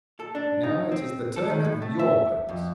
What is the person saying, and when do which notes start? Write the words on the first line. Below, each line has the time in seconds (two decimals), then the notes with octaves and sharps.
Now it is the turn of your bones.
0.20 A4
0.35 D4
0.64 D#4
0.92 C4
1.36 A4
1.50 D#3
1.65 A2
1.82 A3
1.99 E5
2.49 F2